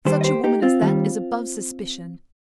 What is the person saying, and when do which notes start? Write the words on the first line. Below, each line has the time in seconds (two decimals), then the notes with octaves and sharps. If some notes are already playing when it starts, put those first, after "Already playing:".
Such a woman as that is above suspicion.
0.05 D#2 D#3 G3 G4 C5
0.21 D#5
0.24 G4 C5
0.44 D#4 G4
0.62 C4 F4
0.81 D#2 D#3 G3